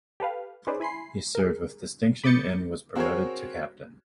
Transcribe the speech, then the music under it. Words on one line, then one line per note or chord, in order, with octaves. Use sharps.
He served with distinction and was promoted to Captain.
G4 A4 B4 F5
C#4 D#4 G#4 B4 C5 D5
E4 G#5 B5 C6 C7
G#4 A#4
B5 D6 D#6 G6 A6 C#7
C4 F#4 G#4 A#4 C5 C#5